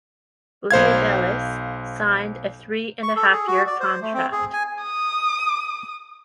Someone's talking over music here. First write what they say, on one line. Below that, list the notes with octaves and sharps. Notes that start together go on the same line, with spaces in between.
Bleidelis signed a three-and-a-half-year contreact.
B1 C5 F5 G#6
C#6
A4
G#4
F#4
D5
C5
A3
C4
G#4
G#5
D#6